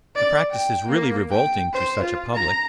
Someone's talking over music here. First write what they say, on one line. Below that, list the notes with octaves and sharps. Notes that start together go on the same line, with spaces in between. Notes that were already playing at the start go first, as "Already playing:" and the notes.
The practice is really revolting to such a public.
D5
G5
A#3
G5
C5
F4
A#5